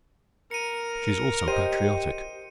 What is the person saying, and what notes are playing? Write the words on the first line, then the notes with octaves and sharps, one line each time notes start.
She is also patriotic.
A#4 C#7 D#7
G4 C5 D#5 D#7